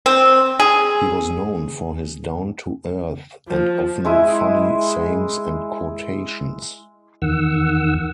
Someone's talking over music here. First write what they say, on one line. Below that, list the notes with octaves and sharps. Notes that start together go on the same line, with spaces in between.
He was known for his down-to-earth and often funny sayings and quotations.
C4
G#4
F3
G#3 E4 G#4 E5
E2 D#3 F#5 E6